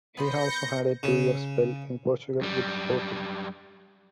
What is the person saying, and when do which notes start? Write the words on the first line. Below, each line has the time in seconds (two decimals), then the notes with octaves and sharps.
He also had a two-year spell in Portugal with Sporting.
0.17 B3 B5 C6 G6 A#6 C#7
1.03 C#3
2.41 F#2 G3